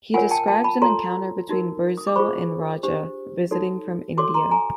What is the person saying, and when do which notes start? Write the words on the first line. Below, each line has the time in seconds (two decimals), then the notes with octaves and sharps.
He describes an encounter between Burzoe and a Raja visiting from India.
0.14 F4 A#4 C#5 F#5 G#5
0.31 G5 A5
0.48 G5 A5
0.64 A5 B5
0.82 F4 A4 C#5 A#5 C6
1.49 D#4 F#4 A#4
1.98 D#6
2.07 D6
2.16 F4 G#4 C5 B5 C#6
2.83 D4 G4 C5
3.51 D#4 F#4 A4 C#5
4.18 F#4 A4 C#5 C6 D6
4.34 A#5 C6
4.51 G#5 A#5